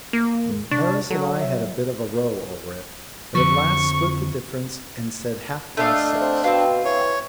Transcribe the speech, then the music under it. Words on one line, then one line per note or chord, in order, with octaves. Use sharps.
Harris and I had a bit of a row over it, but at last split the difference, and said half-past six.
A#3
D#2 G#2 G#3
C3 D4 C#6 A6
F#3 A4
E5
F2 D3 F3 C#6
A3 D4 D#5 F5
C4
B2 C4 F4
E3 C#5